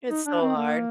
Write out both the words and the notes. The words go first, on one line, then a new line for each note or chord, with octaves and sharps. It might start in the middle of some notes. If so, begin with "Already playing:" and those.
It's so hard.
D#4
D4
C4
A#3